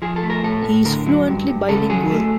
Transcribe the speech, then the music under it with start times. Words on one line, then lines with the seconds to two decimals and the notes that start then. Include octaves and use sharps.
He is fluently bilingual.
0.02 F3 G#4
0.16 A4
0.23 A3
0.30 A#4
0.43 A2 A4
0.64 A2
0.85 D3 A#4
1.06 F#3
1.27 G2
1.48 G2
1.69 C#3 A4
1.90 F#3 G#4
2.11 A3